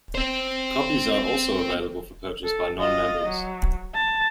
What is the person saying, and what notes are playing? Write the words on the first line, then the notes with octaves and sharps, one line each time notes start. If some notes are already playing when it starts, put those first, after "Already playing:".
Copies are also available for purchase by non-members.
C4 C5
A4
F4 D#5
F#3
A5